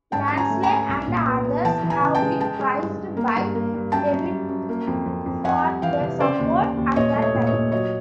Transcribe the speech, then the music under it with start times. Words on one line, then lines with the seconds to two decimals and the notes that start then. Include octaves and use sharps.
Lansley and others have been praised by Tebbit for their support at that time.
0.12 G#2 G5 A5
0.28 C#4 A5
0.37 G#5 A#5
0.50 A3
0.63 G#5 A#5
0.70 C#4
0.89 C2
1.08 A#2
1.26 B3
1.45 B3
1.65 E3 G5 A5
1.83 E3
1.90 G#5 A#5
2.02 C#3
2.15 G5 A5
2.22 G#3
2.40 G#3 G5 A5
2.59 G#3
2.78 G2
2.97 G2
3.17 A#3
3.36 G2
3.55 A#3
3.74 G2
3.92 F#2 G5 A5
4.11 F#2
4.31 G3
4.49 F#2
4.69 A#3
4.87 F2
5.06 F2
5.26 F2
5.44 F2 F#5 G#5
5.63 G3
5.82 E3 F5 G5
6.01 C3
6.20 C#3 C5 D5
6.40 D#2
6.59 C#3
6.77 D#2
6.96 A#2 C#5 D#5
7.15 A3
7.22 C#5 D#5
7.34 A#2
7.47 C#5 D#5
7.53 A#2
7.72 F#3 C#5 D#5